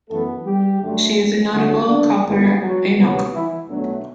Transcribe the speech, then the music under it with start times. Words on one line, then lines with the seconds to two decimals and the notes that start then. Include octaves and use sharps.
She is a notable Copper Inuk.
0.09 F#2 E3 A3 B3 A4
0.45 G3 G4
0.81 F#2 D3 A3
1.53 D2 D3 F#3 A3 F#4
1.88 D3 D4
2.25 G1 F#2 E3 G3 B3
2.61 F#3 F#4
2.97 D2 C3 F#3 B3
3.32 E3 E4
3.68 B1 B2 D3 F#3 A3 D4